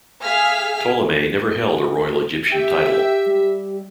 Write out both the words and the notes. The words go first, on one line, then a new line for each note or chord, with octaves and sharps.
Ptolemy never held a royal Egyptian title.
G#4 E5 F5 F6 B6
G4 E5 G5
G3